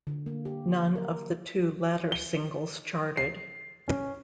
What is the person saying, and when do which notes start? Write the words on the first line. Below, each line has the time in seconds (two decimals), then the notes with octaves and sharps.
None of the two latter singles charted.
0.07 D3
0.26 A#3
0.45 G4
0.95 A#4
2.12 G7
3.17 C7
3.88 C#4